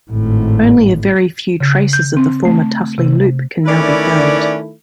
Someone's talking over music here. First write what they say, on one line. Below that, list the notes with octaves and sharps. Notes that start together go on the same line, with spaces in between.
Only a very few traces of the former Tuffley Loop can now be found.
G#1 A2
C#3
G6
C4
A3
C3
D#3 A3 C#4 E4 B4 D5